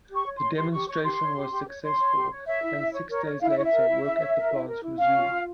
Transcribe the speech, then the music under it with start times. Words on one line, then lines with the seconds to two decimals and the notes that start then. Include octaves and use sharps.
The demonstration was successful and six days later work at the plants resumed.
0.09 G4
0.15 C#6
0.25 C#5
0.36 C6
0.41 C#5
0.57 G4 C6
0.73 G4 C#6
0.88 C#5 C#6
1.04 G4 C6
1.20 C#5
1.35 G4
1.51 G4
1.67 C#5
1.83 C#5 C6
1.99 C#5
2.15 G4
2.30 C#5
2.46 C#5 E5
2.62 E4
2.77 E4
2.94 C#5
3.10 A#4 C#5
3.25 C#5
3.41 E4 F5
3.49 E5
3.57 E4 C#5
3.64 E5
3.73 A#4
3.88 E4
4.05 E4
4.21 C#5
4.36 A#4
4.52 E4
4.68 A#4
4.83 E4
4.99 C#4 F5
5.15 F4
5.30 F4